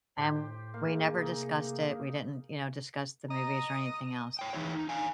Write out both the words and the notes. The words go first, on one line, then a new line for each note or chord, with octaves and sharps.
and we never discussed it, we didn't, you know, discuss the movies or anything else.
A2 G4 C5
A3 A#3 G#4 F5
C3 D#4
D#5 A#5
C#5 G5
E3 D#4 E4 C#5
D#4
D4 F5 G#5